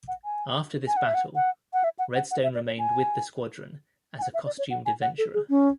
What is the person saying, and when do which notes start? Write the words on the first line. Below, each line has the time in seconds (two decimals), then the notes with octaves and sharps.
After this battle, Redstone remained with the Squadron as a costumed adventurer.
0.08 F#5
0.25 G#5
0.88 G#5
0.97 F#5
1.06 E5
1.14 F#5
1.35 F#5
1.73 F#5
1.84 E5
1.99 F#5
2.15 F#5
2.31 F#5
2.43 E5
2.55 D5
2.67 C#5
2.79 G#5
4.19 G#5
4.22 F#5
4.34 E5
4.46 D5
4.59 C#5
4.71 F#5
4.86 G#5
5.02 F#5
5.18 A4
5.34 G#4
5.50 C#4